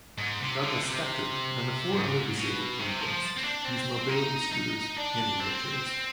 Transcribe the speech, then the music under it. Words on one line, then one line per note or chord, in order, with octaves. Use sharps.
Douglas Spector and the four other disabled plaintiffs use mobility scooters and wheelchairs.
G#2
C3
D3
C3
G#2
B2
C3
F3
C4
D4
C4
D#4
D#4
D4
C4